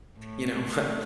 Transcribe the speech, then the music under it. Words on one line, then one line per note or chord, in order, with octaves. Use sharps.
you know what,
A2
A3